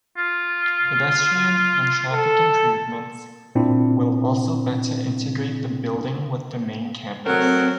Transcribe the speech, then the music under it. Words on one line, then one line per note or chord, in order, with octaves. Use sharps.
Pedestrian and traffic improvements will also better integrate the building with the main campus.
F4
A4
A#2 C4 D4 E4
F#3 A3 C4 A#4